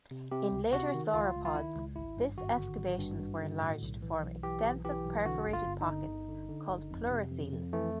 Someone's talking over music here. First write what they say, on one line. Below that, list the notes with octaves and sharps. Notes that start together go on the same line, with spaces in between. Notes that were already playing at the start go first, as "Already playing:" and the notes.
In later sauropods, this excavations were enlarged to form extensive perforated pockets called pleurocoels.
C3
C3 G4
C#2
C3 F#4
D#3
C#2 F4
C#2
F4
D#3 E4
C#2
G#1 E4
G2
G#1 F#4
D3
G#1
G2
G2
D3
A2
B1
E3
B1
E3 G4
B1
E3 G4
B1
D3 F#4
G1
F4
G1
D#4
D3
G1
D3
D3
G1
F2
C3
F2
F2
E3 A3